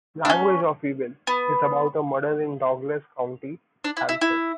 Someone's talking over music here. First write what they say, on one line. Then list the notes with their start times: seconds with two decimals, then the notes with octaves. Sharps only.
"Language of Evil" is about a murder in Douglas County, Kansas.
0.25 D4
0.30 C#4
1.27 B3
3.84 D4
3.97 E4
4.09 E4
4.21 E4